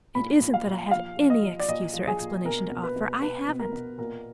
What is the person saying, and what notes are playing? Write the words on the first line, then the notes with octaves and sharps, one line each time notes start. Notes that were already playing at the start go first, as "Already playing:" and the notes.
It isn't that I have any excuse or explanation to offer; I haven't.
A#2 B5
A#2
F5
A#2
F3 F5
F3
D#5
F3
D5
A#2 D#5
F3
G#4
A#2
B2 A#4
B2
B4
B2
B2 B4
B2
A#4
B2
A#2 A#4